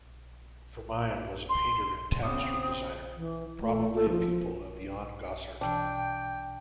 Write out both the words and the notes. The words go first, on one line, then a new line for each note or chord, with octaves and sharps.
Vermeyen was a painter and tapestry designer, probably a pupil of Jan Gossaert.
C6
C#3 B3 C4 D6 D#6
E3
A3
A4
F3
B2 E3 D4 G5